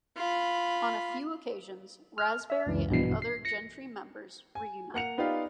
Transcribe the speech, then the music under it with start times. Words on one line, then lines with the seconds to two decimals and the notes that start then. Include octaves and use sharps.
On a few occasions, Raspberry and other Gentry members reunite.
0.17 F4 B5
2.18 F6
2.50 E5
2.67 C#2 F#2 E3
2.89 A#1 G2 B2 E3 C7
3.22 C7
3.45 A#6 C#7
4.55 G#5
4.94 A#3 F#5 C#7 F7
5.18 B3 D#4 F4 G4 D5 F5